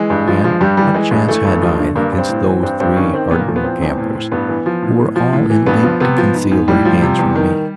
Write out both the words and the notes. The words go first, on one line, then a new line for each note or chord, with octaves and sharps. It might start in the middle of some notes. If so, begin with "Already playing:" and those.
And what chance had I against those three hardened gamblers, who were all in league to conceal their hands from me?
Already playing: E3 G#3
G2
F3
F3
G2 G3
E3 G3
E3 G#3
G2 G#3
E3 A3
G2
F3
D3
G2 A#3
G2
C4
A2
E3
G2 C4
G2 C4
D#3 C#4
D#3 C4
A#2 B3
A#3
F3 A3
B3
E2 C4
E2
A2
A2
G2 B3
E3
F3
A2
A2
F3
A2
E3
G2 B3
F3
C3 B3
F3
G#2
G#2
A2 G3
F3
C3
E2
D#3